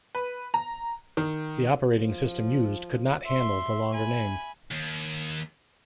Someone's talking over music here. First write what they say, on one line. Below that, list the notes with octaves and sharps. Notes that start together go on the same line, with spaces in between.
The operating system used could not handle the longer name.
B4
A#5
D#3
F3
E5 C6
G#5 B5
D#2